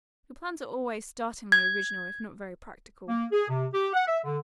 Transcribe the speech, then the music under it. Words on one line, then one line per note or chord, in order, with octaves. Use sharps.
"Your plans are always startlingly original if not very practical."
G#6
A#3
G#4
C3
G4
F#5
E5
D3